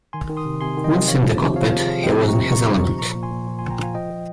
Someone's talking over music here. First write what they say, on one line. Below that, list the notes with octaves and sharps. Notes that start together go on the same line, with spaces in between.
Once in the cockpit, he was in his element.
D#3 G#5 C6
D#3
C6 D#6
C3
C3 G#5 C6
D#3
D#5 G5
C3
F3 C#5 F5
F3
C3
F3 C#5 F5
F3
F4 G#4
F3
C3 D#5 G5
F3
A#5 C#6
C3
C3 A#5 C#6
F3
F3
A#2 A#5 C#6
A#2
G#5 C6
A#2
F3
G#5 C6
A#2
G5 A#5
F3 F5 G#5
F3 D#5 G5
F3